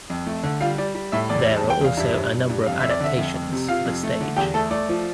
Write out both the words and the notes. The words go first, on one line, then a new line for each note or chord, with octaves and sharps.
There are also a number of adaptations for the stage.
F2
A3
D3
G3 F4 F5
G3 D5
G3
A2 E5
E2 D5
G3
A5
E2
G5
E2 F5
G2 E5
G2
G2
G2
F2 F5
F2 E5
D5
D3 E5
F2
F2
C3
C3 F4 F5
F2
A3
D3
E2 G4 G5
A3 A4 A5
A3 D5
F3